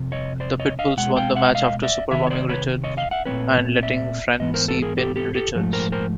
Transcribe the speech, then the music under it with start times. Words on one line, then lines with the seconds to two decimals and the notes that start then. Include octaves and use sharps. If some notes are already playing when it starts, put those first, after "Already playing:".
The Pitbulls won the match after superbombing Richards and letting Francine pin Richards.
Already playing: F2 C3
0.12 C#5 D#5
0.40 C5 D5
0.60 C#5 D#5
0.79 D#5 F5
0.97 B2 G#3 F#5
1.17 F5 G5
1.35 E5 F#5
1.55 D#5 F5
1.83 D5 E5
2.11 C3 D#3 E5
2.27 C#5
2.30 C5 D5
2.49 B4 C#5
2.84 C#5 D#5
2.97 D#5 F5
3.11 E5 F#5
3.25 A#2 F3 A3 C4 B4 C#5
3.83 D5 E5
4.40 G#2 E3 B3 D#5
4.54 A#4 C5
4.68 A4 B4
4.82 G#4 A#4
4.97 G4 A4
5.16 G4 A4
5.35 G4 A4
5.55 G#2 F3 A3
5.73 A#4 C5
5.92 A#4 C5